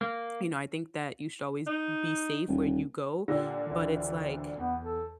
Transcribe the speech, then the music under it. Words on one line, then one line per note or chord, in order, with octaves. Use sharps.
you know, I think that you should always be safe where you go, but it's like,
A#3
D#4
D#1
A#2 D3 G4 E6 A#6
D1 E3
E2 B3
A4